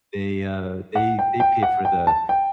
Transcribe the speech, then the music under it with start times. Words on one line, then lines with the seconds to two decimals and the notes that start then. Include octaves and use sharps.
they, uh, they they paid for the
0.95 F#5
1.19 G5
1.40 G5
1.63 F#5
1.85 G5
2.07 A5
2.29 G5